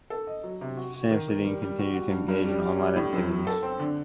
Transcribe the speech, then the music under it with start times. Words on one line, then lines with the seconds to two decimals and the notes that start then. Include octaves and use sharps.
Samsudeen continued to engage in online activities.
0.10 A4
0.27 D#5
0.43 F#3
0.61 C3
0.77 F#4
0.94 F#4
1.11 D#3
1.28 D#3
1.44 G3
1.62 G3
1.79 F#4
1.94 F#4
2.11 G2
2.28 G2
2.45 G3
2.62 G3
2.79 G3
2.96 A2
3.12 F#2
3.29 F#3
3.47 A4
3.63 C4
3.80 D3